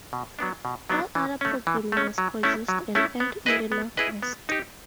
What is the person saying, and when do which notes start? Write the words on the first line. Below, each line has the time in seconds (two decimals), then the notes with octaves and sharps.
All other programming was produced and aired in the North West.
0.13 B2
0.39 F#3 B3 D4
0.65 B2
0.90 F#3 B3 D4
1.15 E3
1.41 A3 C#4
1.67 E3
1.92 A3 C#4
2.18 F#3
2.43 A3 C#4 E4
2.68 F#3
2.95 A3 C#4 E4
3.20 B3
3.46 E4 G#4 B4 D#5
3.72 B3
3.97 E4 G#4 B4 D#5
4.23 B3
4.49 D#4 G4